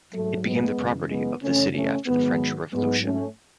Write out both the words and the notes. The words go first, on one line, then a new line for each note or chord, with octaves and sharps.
It became the property of the city after the French Revolution.
G#2 F#3 A3
G#3 B3
F#2 C#3 E3
G#3 B3
F#2 C#3 E3 A3 C#4
A3 C#4
G#2 D#3 F#3 G#3 B3
G#2 F#3 G#3 B3
A3 C#4